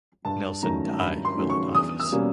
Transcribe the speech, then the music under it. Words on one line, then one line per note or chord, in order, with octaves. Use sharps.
Nelson died while in office.
G2 A5
D#3 F#3 A3 C#4 A#5
G2 B5
C6
D#3 F#3 A3 C#4
C#6
E2 D#6
E6
B2 G3 A#3 C#4